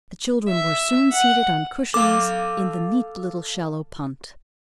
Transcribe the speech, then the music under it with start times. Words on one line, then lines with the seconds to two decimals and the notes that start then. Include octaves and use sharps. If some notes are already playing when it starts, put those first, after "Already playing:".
The children were soon seated on cushions in the neat little shallow punt.
0.49 E5
1.13 F#5
1.94 A4 F5 D6